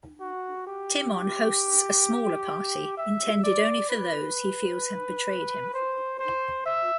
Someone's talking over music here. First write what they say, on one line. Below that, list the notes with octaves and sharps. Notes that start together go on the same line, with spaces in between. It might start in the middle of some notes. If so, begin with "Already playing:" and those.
Timon hosts a smaller party, intended only for those he feels have betrayed him.
F#4
G4
E5
D5
B4
C5
C5
E5